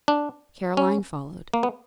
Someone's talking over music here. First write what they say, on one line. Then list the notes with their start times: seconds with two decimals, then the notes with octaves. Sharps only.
Caroline followed.
0.08 D4
0.77 C#4
1.54 A#3
1.63 B3